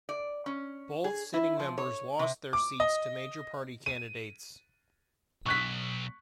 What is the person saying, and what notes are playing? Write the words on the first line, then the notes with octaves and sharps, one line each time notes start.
Both sitting members lost their seats to major party candidates.
D5
C#4
G#4
E4
F3
C#5
C3
D6
D#5
D#7
B1 C#6 F#6 B6